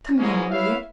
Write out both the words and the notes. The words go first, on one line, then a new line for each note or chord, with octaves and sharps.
Come here, Maria!
G#2 B2 E3 G#3 A#3 C#4
E4 B4 C#5 E5 F5